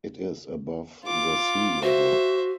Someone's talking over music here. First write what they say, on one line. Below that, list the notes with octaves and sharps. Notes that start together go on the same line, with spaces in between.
It is above the sea level.
F4 D6
F#4 C5 E5